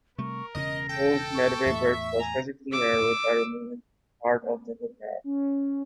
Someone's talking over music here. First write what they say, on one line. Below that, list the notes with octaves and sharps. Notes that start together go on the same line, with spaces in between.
The old Medway Bridge was physically narrowed by removing part of the footpath.
C3 G3 A3 A#4 C#6
E1 C#3 C#4 D#5 A#6
A4 G5
C#6
E2 A2 E5
G#5 A#5
D6 E6
C#4